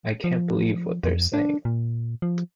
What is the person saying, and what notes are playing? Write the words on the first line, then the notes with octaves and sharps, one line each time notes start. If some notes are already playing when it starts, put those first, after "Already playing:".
I can't believe what they're saying.
F3
F2
D4
A#2
F3